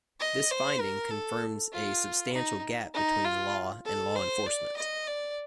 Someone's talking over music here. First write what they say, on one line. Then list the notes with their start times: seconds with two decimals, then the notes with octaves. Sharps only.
This finding confirms a substantial gap between law and law enforcement.
0.20 D#5
0.51 C5
0.81 A#4
1.11 A4
1.72 F4
2.33 D#4
2.94 D#4
3.24 F4
3.85 A4
4.15 C5
4.46 D5
4.77 D#5
5.07 D5